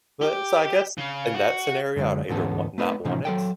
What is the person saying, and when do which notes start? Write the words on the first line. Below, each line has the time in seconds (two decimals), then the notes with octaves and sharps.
But, so, I guess, in that scenario, I'd either wa not want it.
0.22 G4
0.98 C#3
1.35 F#4
1.96 F#2 D3 F#3 G#3
2.29 D2 G#2 E3 B3 C#4 A4
2.78 A3 B3 C4 D#4 B4
3.05 A2 C3 E3 F3 C#4 D#4
3.25 F#3 A4 G5